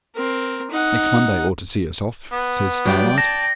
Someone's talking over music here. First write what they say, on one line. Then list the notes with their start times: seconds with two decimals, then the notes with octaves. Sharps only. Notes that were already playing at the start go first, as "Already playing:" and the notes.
'Next Monday ought to see us off,' says Starlight.
0.15 C4 A#4
0.71 D#4 F#5
2.32 B3
2.86 F#3 G3 D5 G5
3.18 A5 A#6